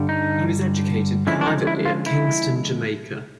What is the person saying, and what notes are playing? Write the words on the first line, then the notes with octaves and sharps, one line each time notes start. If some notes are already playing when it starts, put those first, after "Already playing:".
He was educated privately at Kingston, Jamaica.
Already playing: G2 D3 G3
D#4
D3 F3 G#3 C#4 E4
D4
D#4
E4
F4
E4